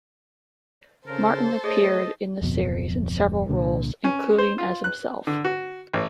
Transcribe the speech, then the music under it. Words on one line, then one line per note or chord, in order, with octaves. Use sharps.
Martin appeared in the series in several roles, including as himself.
C#3 A4 A#4 C5
A3 G#4 C#5 D#5
D1 F2 B2
C2 A#2 D3
C#4
C5
F4
F#6
D3
F#4
A1